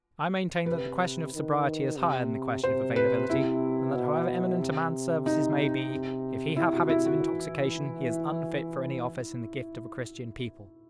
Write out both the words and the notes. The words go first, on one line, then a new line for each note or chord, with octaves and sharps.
I maintain that the question of sobriety is higher than the question of availability; and that however eminent a man's services may be, if he have habits of intoxication, he is unfit for any office in the gift of a Christian people.
C3 B4
D#3
C3
C3 C5
B4
C3 E4
B2
C3
D#4
C3 E4
F#4
E4
F#4
E3